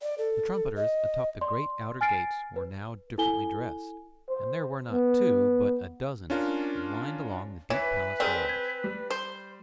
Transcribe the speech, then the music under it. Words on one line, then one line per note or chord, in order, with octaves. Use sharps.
The trumpeters atop the great outer gates were now differently dressed, and there were not two but a dozen lined along the deep palace walls.
D5
A4
D#5
D5 C6
G#5 F6 A6 C7 D7
B4
E4 A4 G#5 G7
C5
B3
C#4 D4 F4 A#4
E3 B4 C#5 E7
C4 G#4 A#4 D5 G#5
G#6
G3
C5